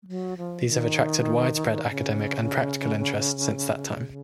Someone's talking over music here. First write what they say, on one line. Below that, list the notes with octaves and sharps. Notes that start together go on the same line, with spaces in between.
These have attracted widespread academic and practical interest since that time.
G#3
F#3
F3
D#3
C#3